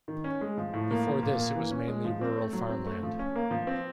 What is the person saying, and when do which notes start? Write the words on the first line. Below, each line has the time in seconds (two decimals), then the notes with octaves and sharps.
Before this it was mainly rural farmland.
0.08 D#3
0.24 C#4
0.41 G#3
0.58 F3
0.73 A2
0.91 A#3
1.07 F3
1.23 A#2
1.39 A#3
1.55 E3
1.71 C#4
1.88 G#3
2.05 F3
2.21 C4
2.38 A3
2.53 F#3
2.69 C4
2.87 A3
3.03 F3
3.19 C#4
3.36 A#3
3.51 F3
3.67 C4